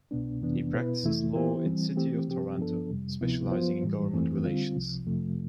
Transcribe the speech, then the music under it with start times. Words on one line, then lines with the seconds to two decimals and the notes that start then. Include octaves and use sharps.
He practices law in the city of Toronto, specializing in government relations.
0.11 C2 B2 B3 D4
0.41 F2 C3 E3 B3 D4
0.73 B2 B3 E4 B4
1.03 F2 C3 E3 A3 E4
1.34 E3 B3 E4 G4 C5
1.65 E3 G3 C4
1.96 E3 A3 C4 G4
2.27 C3 F3 C4 G4
2.58 G2 F3 B3 D4 A4
2.90 F2 C3 G3
3.20 D2 C3 F3 B3 E4
3.52 F3 B3 F4 C5
3.83 A2 E3 G3
4.13 F2 E3 A3 C4
4.44 D3 G3 C4 F4
4.76 C2 C3 F3
5.06 F2 C3 F3 A3